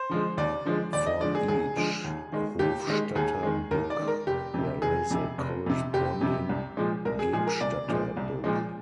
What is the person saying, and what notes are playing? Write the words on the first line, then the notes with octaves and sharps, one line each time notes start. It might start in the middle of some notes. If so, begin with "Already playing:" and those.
For each Hofstadter book, there is a corresponding Gebstadter book.
Already playing: C5
D3 F3 G#3
D#2 D5
D3 F3 G#3
D#2 D5
D#5
D3 F3 G#3 D5
G#4
D#2 G#4
D3 F3 G#3
D#2
D#3 G#3
D#2 G4
D#3 G#3
D#2 G#4
D#3 G#3
D#2 A#4
D5
D#3 G#3
A#4
F1 G4
F2 C3
F1 G#4
F2 C3
F1
F2 C3
F1 G4
F2 C3
C2
A#2 F3 G#3
C2 A#4
G#4
A#2 F3 G#3 G#4
A#4
C2 D5
A#2 F3 G#3
C2
A#2 F3 G#3